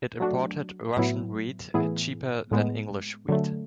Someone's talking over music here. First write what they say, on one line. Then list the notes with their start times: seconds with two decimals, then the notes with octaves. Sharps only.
It imported Russian wheat, cheaper than English wheat.
0.20 F#3 A3 D4 F#4
0.97 A2 F#3 B3 E4
1.74 A2 E3 B3 E4 G#4
2.51 A2 G#3 B3
3.29 D3 F#3 A3